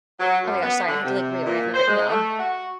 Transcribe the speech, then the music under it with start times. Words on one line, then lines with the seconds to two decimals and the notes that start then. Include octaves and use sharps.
Oh, my gosh, sorry. I had to, like, reorient my br No.
0.19 F#3
0.43 F#2
0.62 B3
0.86 D3
1.04 C3
1.45 A#2
1.74 C5
1.88 G#3
2.08 A3
2.38 F#4